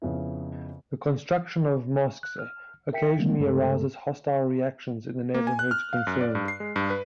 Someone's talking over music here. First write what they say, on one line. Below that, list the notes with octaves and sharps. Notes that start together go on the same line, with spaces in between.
The construction of mosques occasionally arouses hostile reactions in the neighbourhoods concerned.
F2 C#3 B3 E4
F#6
F6
A#4 E5 G5 B6 C#7
D3 F3 G3 G#3 A#3 C4
G2 C#3 G#3 A3 A4
A#3
G#5
F#6
F6
F5
F#2
D5
G2
C7
G#3
G2
B4